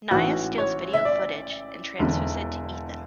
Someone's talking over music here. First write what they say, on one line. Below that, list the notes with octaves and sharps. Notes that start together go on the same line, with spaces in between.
Nyah steals video footage and transfers it to Ethan.
A1 G#2 E3 F#4
C#5
E5
D5
E1 E2 D3